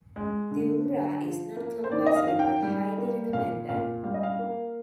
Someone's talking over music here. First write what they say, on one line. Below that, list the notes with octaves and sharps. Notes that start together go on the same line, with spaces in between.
The Umrah is not compulsory but highly recommended.
G#3
D3
D3
F3
A#3
C5
D#3 D5
D#5
F5
D#3 F5
G5
G3
A#3
A#2 F5
A#2 F5
G3 F5
D#5
F5
A#3